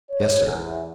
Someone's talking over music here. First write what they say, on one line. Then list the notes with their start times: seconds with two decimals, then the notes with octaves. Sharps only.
"Yes, sir."
0.10 C#5
0.45 E2